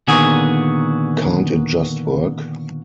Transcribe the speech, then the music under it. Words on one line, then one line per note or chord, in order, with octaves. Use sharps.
Can't it just work?
A#2 D3 D#3 B3 F#4 G#4